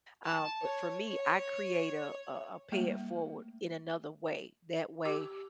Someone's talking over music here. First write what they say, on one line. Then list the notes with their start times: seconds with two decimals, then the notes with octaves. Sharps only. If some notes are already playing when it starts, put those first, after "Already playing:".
um, but for me, I create a a a pay-it-forward, in another way. That way,
0.25 A5
0.61 C#5
1.08 C#5
2.72 G3 A3 A#3
5.05 G4 D6